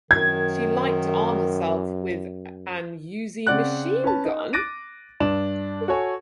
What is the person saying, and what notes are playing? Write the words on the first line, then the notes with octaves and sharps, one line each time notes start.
She liked to arm herself with an Uzi machine-gun.
F#2 D#3 G#6
C#3 C4 D5 F#5 F#6
C#4 B4 A5
D#4
D6 F#6 A6 A#6 D7 D#7
G2 D4 E7
F#4 A4 C#5 G#5